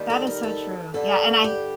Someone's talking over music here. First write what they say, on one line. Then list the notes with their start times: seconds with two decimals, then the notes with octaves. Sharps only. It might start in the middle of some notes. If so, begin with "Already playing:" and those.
That is so true. Yeah, and I
Already playing: D#2 D#3 G3
0.10 A4
0.27 A#4
0.43 A4
0.94 G2 D3 G3 A4
1.44 G4